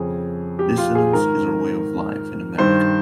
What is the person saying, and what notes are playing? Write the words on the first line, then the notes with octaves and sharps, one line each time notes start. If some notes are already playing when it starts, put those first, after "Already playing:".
Dissonance is our way of life in America.
Already playing: F2 C#3 G#4
G4
F4
G#4
G#2 D#3 A#4
G2 D#3 C5